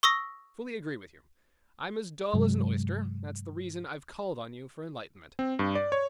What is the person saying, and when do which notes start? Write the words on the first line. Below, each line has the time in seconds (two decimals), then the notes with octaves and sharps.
I fully agree with you! I’m as dull as an oyster; that’s the reason I’ve called on you for enlightenment.
0.03 C#6 D#6 E6 A#6
2.33 G2 C3 F#3 G#3
5.39 C4
5.59 G2
5.75 D5
5.92 C#5